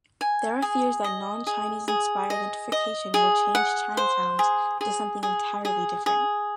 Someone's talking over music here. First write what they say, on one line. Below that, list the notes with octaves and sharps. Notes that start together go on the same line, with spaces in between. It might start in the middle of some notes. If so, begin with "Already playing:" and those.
There are fears that non-Chinese-inspired gentrification will change Chinatowns into something entirely different.
G#5
G#4
D#5
G#4
G#4
D#5
D#5
G#4
F#5
C5
G#4
G#4
G#4
G#4
G#4